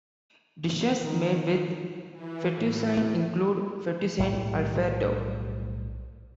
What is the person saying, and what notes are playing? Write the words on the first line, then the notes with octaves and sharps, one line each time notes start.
Dishes made with fettuccine include Fettuccine Alfredo.
D#3 F3
E3
A2
B1 A2 G3